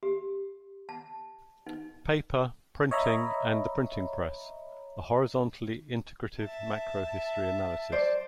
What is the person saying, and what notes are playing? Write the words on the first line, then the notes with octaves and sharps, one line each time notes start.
Paper, printing and the printing press: A horizontally integrative macrohistory analysis.
G4
A5
D#4
C#5 D#5 E5 A#5 B5
E5 A5
C5 D5